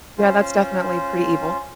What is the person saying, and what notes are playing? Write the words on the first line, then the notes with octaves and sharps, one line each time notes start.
Yeah, that's definitely pretty evil.
C#4 F4 C5